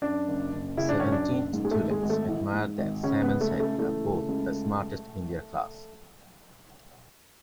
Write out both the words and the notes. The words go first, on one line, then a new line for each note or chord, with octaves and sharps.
Seventeen students admired that Sam and Sally are both the smartest in their class.
F#2 D4
F#1
F#1
C#3 E4
D4
F#2 C#4
D4
F#1
G#2
G#3
A3
G#1
G#3
G#1
A3
E3
G#2
G#1
C#3 C#4
B3
C#2
A3
C#2
A3
E3 A3
C#3
C#2